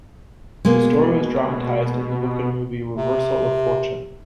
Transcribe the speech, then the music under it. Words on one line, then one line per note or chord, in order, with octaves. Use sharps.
The story was dramatized in the book and movie, "Reversal of Fortune".
B2 G#3 A#3 B3
C3